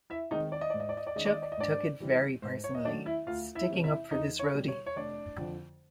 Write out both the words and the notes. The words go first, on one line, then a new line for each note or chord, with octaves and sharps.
Chuck took it very personally, sticking up for this roadie.
E4 E5
D#3 G#3 C4 D#4 D#5
D5
D#5
G#2 D5
D#5
D5
D#5
D5
D#3 G#3 C#4 D#5
D5
D#5
D5
D#5
G#2 D4 D5
E3 G3 C4
G#2 C5
C#5
D#5
D#3 F#3 A3 C#4 D4 D5
E4 E5
D2 F4 F5
E4 E5
C3 E3 G#3 C#4
E4 E5
E2 D#4 D#5
C#5
B2 G3
C#5
C#5
F1 D4 D5
F2 D3 F3